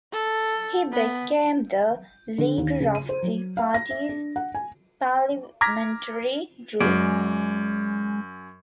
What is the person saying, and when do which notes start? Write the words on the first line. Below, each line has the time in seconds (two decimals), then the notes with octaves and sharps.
He became the leader of the party's parliamentary group.
0.13 A4
0.92 B3
2.38 D3
2.58 D#2
2.81 C#3
2.95 D#7
3.09 C5
3.22 F#3
3.57 F5
3.74 A#6
3.90 E5
4.09 D4
4.36 F#5
4.55 G#5
5.61 A#5 D6 F6 G#6 A#6 B6
6.81 F#2 G#3 D5